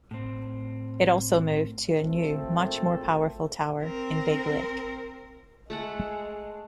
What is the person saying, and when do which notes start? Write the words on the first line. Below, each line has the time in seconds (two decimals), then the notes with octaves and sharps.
It also moved to a new, much more powerful tower in Big Lake.
0.11 A2 C4
1.98 G#1 A#2 A3 C4 A4
3.83 C4 A#4
5.70 G#3 A3 A4 F#5